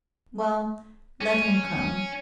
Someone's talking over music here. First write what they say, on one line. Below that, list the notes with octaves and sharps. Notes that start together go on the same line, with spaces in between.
Well, let him come.
C#4